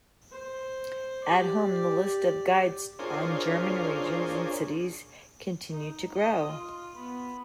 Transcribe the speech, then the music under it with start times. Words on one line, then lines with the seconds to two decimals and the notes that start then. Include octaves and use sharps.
At home, the list of guides on German regions and cities continued to grow.
0.31 C5
1.24 G4 D5
2.99 D4 F4 G#4 A#4 C5 C#5
5.71 D#4
6.14 D#5 D#6
6.48 F4
6.94 B3 B5